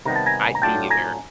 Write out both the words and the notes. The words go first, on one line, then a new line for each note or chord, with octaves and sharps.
I me either.
C3 D#3 G3 B3 A#5
A5
G#5 A#5
A#5
A2 F#3 A3 D4 F4 G5 A5
G#5 A#5